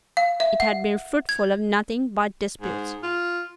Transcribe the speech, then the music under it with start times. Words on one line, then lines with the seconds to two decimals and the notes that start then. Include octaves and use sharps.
It had been fruitful of nothing but disputes.
0.17 F5
0.40 E5
0.60 F#5
1.29 G#6
2.61 G#2
3.03 F4